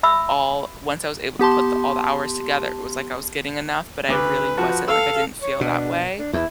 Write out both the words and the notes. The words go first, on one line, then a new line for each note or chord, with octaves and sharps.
all once I was able to put the all the hours together, it was like I was getting enough, but I really wasn't, like, I didn't feel that way.
E5 B5 E6
B3 G4 A5 C6
D2 B4 D6
F3 F#4 A5
A4 F5 E6
C#5
B2 D4
D4
E2 E4